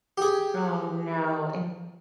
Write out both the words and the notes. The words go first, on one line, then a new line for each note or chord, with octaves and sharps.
Oh, no, and
G4 G#4